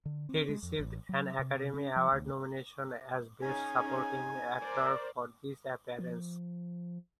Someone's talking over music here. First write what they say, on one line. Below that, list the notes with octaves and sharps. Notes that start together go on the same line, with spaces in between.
He received an Academy Award-nomination as Best Supporting Actor for this appearance.
D3
C4
G#3
F2
A1
F#3
C3
C#4
F3
D2
C#4 D#4 G#4 G#5
A#4 C5 D5
F3